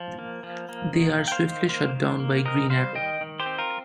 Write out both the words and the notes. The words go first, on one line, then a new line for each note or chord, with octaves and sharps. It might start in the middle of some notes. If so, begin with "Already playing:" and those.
They are swiftly shut down by Green Arrow.
Already playing: F3
A#3
F3
A#3
D#3
A#3
G5
C5 F5
D#3
A#3 C5 F5
D#3
A#3
C4 A#4 D#5
G3 C5 F5
D#3 D#5 G5
D#3
G4 C5
C4
F4 A#4